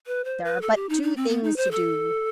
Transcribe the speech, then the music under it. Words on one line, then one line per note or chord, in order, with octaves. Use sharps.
There are but two things to do.
B4
C5
B4
A4
G4
D#4
D#4
C4
B3
D#4
C5
A4